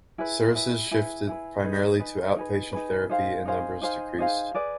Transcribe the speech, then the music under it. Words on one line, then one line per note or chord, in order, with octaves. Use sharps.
Services shifted primarily to outpatient therapy and numbers decreased.
E4 G#4 B4
E4 G#4 B4
E4 G#4 B4
E4 G#4 B4
D#4 G#4 B4
D#4 G#4 B4
D#4 G#4 B4
D#4 G#4 B4
D#4 G#4 C5 F5
D#4 G#4 C5 F5
D#4 G#4 C5 F5
D#4 G#4 C5 F5
G#4 B4 D5